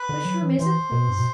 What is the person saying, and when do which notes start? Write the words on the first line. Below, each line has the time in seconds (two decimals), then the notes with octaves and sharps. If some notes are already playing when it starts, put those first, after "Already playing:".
"Which room is it, please?"
Already playing: B4
0.09 D3
0.25 F#3
0.42 E3
0.59 E3 C5
0.92 B2
1.08 G2
1.18 B2